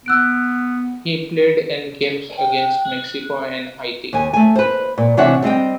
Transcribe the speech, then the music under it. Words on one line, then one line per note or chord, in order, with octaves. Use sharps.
He played in games against Mexico and Haiti.
B3 E6 F#6 D7
G5
D#2 G#5
A3 G#5
B4 C5
A#2
C3 E3 D4 C#5 E5 F#5
G3 C4 D#5 G5